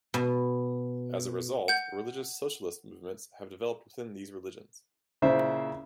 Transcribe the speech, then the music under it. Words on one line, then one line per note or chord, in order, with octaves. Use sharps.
As a result, religious socialist movements have developed within these religions.
B2
F#5 G6
A#2 C#3 E4 C5 E5